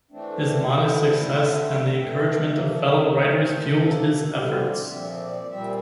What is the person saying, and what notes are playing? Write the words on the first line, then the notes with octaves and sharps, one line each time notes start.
His modest success and the encouragement of fellow writers fueled his efforts.
E3 A3 C4 D4
D3 A3 C4 E4
D3 A3 C4 F4
E5
E5
E3 A3 C4
C3 F3 A#3
A#2 A3 C4 C5
C3 F3 A#3 A4
D3 G3 C4 G4
F4
D5
A#2 F3 C4 E5
D5
A#2 G3 C4 E5